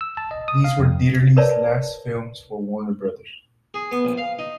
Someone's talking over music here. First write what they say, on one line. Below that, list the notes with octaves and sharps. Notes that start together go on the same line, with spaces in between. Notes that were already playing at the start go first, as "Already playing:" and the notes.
These were Dieterle's last films for Warner Brothers.
E6
A5
D#5
D#6
F5
F2
A#4 B4 C#5 D5 E5 A5
G#4
B3
A#1
F5
D#4